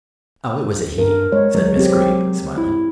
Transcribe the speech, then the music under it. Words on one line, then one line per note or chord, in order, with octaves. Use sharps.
"Oh, it was a 'he,'" said Miss Greeb, smiling.
G2 A#4
G#3 C#5
F#3 G#3 C#5
C4 G4
E4